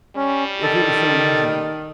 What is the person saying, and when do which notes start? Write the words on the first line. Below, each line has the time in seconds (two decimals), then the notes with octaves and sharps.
if it was so easy,
0.16 G3 C#4
0.63 D#3 A4